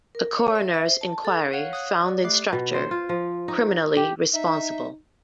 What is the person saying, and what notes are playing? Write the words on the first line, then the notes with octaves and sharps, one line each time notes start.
A coroners inquiry found the instructor criminally responsible.
A#4
C#5
E5
E5
C5
A5
A4
C#5 F5 F#5 F#6
D#6 F#6
D5
A3 G4 D6 F#6 C7
B2
C5
F4
F3
D#4
G4
D#4 E5